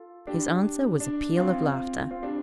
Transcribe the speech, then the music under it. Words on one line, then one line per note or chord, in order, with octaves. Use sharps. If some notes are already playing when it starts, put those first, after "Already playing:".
His answer was a peal of laughter.
Already playing: F4 A4
D4 G4
D4
C4 F4
C4 F4
D4 G4